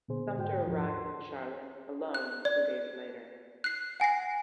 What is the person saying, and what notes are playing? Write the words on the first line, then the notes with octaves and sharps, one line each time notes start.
Sumter arrived in Charlotte, alone, two days later.
A#2 D3 B3 G#4 C5
G#2 F#4 C5 G5
D#2 F3 F4
C6
F#6
D5
F#6 C7
F#5 G#5 A#6 C7